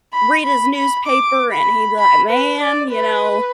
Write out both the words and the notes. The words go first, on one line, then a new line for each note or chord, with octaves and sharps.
read his newspaper and he'd be like, "Man, you know,
B5
B5
B5
D6
B5
B5
B4
D5
B4